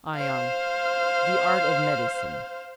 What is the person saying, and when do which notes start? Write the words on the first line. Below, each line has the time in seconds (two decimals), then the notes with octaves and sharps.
ION: The art of medicine.
0.17 C5 F5